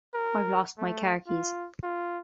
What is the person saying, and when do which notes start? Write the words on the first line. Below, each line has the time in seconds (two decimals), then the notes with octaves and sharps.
I've lost my car keys.
0.14 A#4
0.78 A3
1.27 F4
1.83 F4